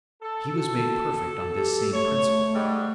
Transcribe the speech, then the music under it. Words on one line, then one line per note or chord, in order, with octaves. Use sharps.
He was made perfect on this same principle.
A4
F#4
G4
A3 C#5
G#2 G3